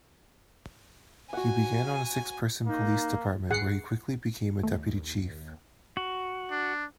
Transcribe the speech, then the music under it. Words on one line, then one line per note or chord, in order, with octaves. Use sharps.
He began on six-person police department where he quickly became a deputy chief.
F#4 F#5 G#5
A#3 D#4
G#4 F#5 C7
D#2 A3
F#4
D4